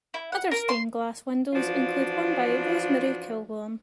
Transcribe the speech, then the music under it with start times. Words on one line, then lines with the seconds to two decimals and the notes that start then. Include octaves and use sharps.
Other stained glass windows include one by Rosemary Kilbourn.
0.14 E4
0.32 F#5
0.51 A#4
0.69 C6
1.53 E3 F3 D4 F4 F#4